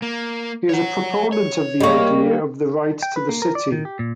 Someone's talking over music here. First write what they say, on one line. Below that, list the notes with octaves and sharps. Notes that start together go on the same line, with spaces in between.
He is a proponent of the idea of the right to the city.
A#3
C#5 F#5
C#5
G3 A#3 D#5 C#6
G5
B4
A#3
A#4
D5
D#3
G4
A#2